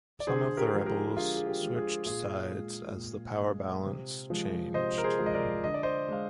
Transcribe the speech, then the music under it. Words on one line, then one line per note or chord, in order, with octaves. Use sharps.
Some of the rebels switched sides as the power balance changed.
D5
D3 G#4 C5
G4 A#4
F3 G#3
G4 A#4
A#4
D3 F4 G#4
G#4
G4
F3 G#3
F4 G#4
A#2 F4 G#4
G#3
A#2
G#3
C3
F3 G#3
C3 C5 D#5
A#4
G#4 C5
F3 G#3
D#5
A#4 D5
D3 D#5
D5
C5 D#5
G#3 F5